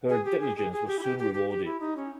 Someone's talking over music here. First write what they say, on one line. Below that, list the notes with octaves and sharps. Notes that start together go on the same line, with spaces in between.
Her diligence was soon rewarded.
G#4
G4
G#4
G#4
G#4
G4
E4
G4
G4
G4
G4
E4
D#4
C#4